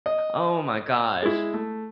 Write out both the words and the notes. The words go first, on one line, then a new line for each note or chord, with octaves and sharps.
Oh my gosh.
D#5
G#3 E4
A3